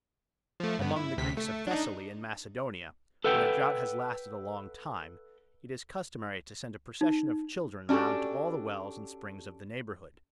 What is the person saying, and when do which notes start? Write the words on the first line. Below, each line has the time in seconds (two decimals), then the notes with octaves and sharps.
Among the Greeks of Thessaly and Macedonia, when a drought has lasted a long time, it is customary to send a procession of children round to all the wells and springs of the neighbourhood.
0.60 F3 A3
0.79 G2 B3
0.96 E4
1.17 D2 C3 B6
1.37 A3
1.67 D4 D#4
3.24 A4 B4 E5 F#5 G5
7.01 D#4
7.89 C#4 D4 F#4 G4 A4